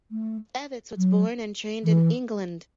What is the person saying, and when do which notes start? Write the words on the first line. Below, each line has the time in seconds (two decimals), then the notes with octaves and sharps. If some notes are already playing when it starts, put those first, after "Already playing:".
Evetts was born and trained in England.
0.11 A3
0.97 F#3
1.84 E3